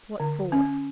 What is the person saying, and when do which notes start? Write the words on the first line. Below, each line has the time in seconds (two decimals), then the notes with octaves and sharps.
What for?
0.20 D3
0.52 C#4